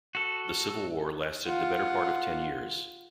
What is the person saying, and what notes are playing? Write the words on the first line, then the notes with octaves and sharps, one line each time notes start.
The civil war lasted the better part of ten years.
F#4 A4
F4 F#5